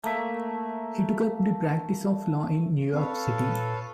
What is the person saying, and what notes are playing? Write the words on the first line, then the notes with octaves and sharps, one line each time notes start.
He took up the practice of law in New York City.
A3 A#3 E5
C4 A4 B4 C#5 F5
A#2